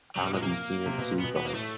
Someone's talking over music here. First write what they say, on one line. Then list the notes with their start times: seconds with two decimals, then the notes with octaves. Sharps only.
I don't know if you've seen it too, but, like,
0.16 C3 F#3
0.25 B2 G3
0.34 A#2 G#3
0.42 C3 A#3
0.86 C3
0.98 B2
1.11 A#2
1.20 B3
1.24 B2
1.37 B3
1.46 A#3
1.54 A2 A3